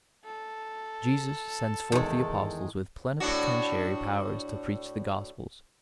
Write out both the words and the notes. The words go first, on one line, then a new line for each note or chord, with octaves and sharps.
Jesus sends forth the Apostles with plenipotentiary powers to preach the Gospel.
A4
E2 D#3 G#3
A2 D4 F#4